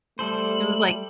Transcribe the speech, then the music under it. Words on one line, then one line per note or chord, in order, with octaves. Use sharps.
It was like
G3 A3 A4 C5 F#7